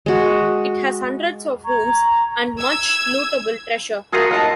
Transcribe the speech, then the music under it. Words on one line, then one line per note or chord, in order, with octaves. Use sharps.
It has hundreds of rooms and much lootable treasure.
G#3 F#4
A#5 C#6 G#6
E6 G#6
A3 F4 F#4 G#4 A#4 F#5
D#2 F4 D#5 F#5 A5